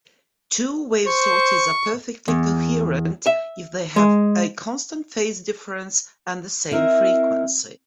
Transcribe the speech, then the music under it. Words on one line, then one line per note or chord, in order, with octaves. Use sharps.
Two-wave sources are perfectly coherent if they have a constant phase difference and the same frequency.
C5 C#6
E2
E5
G#3
C4 E4 A#4 D#5